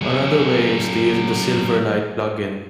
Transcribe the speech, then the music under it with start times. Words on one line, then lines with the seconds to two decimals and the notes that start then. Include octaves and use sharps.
Another way is to use the Silverlight plugin.
0.02 F#3 G#4